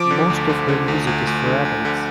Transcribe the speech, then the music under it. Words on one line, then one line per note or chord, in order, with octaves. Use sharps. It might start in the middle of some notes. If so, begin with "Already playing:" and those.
Most of her music is for adults.
Already playing: F3 D6
D3
D2
D3
D3
D2
D2
D2
D3
D2
D3